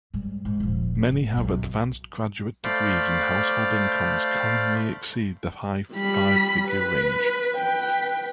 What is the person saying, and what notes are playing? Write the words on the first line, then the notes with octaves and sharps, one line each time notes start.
Many have advanced graduate degrees and household incomes commonly exceed the high five-figure range.
G#2 G3
G#2
D#1 F3
F3
G#2
B1 F#2
A3 C5 D5 F5 B5 D6
G3 B5
B4
B4 G5